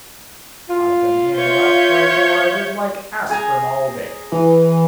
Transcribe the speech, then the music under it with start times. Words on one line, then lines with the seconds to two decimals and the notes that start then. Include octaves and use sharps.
I've been handing out tranquilizers like aspirin all day.
0.69 F4
1.36 C#5 E5 G6
3.29 G#4 G#5 A#5
4.32 E3